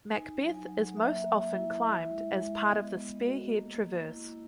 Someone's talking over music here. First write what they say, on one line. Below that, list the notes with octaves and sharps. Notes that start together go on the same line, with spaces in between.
Macbeth is most often climbed as part of the "Spearhead Traverse".
D#4 G#5
F#3
G#5
F#3
A#3 E5
A#3
E4
E4
G#3
G#3
B3 D#5
B3
F#4
A#3
A#3
E4